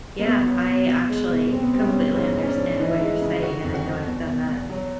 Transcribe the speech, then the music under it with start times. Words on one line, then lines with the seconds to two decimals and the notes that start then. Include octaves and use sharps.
Yeah, I actually completely understand what you're saying, and I know I've done that
0.19 A#3
0.25 B2 B3
0.47 F#3
0.68 B2
0.88 B2
1.10 G#3
1.31 B2
1.52 B2 C4
1.62 B3
1.73 G3 C4
1.84 C#4
1.95 B2
2.16 G#2 C#4
2.37 G#2
2.43 C#4
2.48 D4
2.58 F3
2.79 E3 D#4
2.88 E4
2.98 G#3 D#4
3.22 C#3
3.43 D3 F#4
3.64 F2
3.74 F#4
3.85 F3
4.06 E2
4.28 B2
4.48 E2
4.69 F#3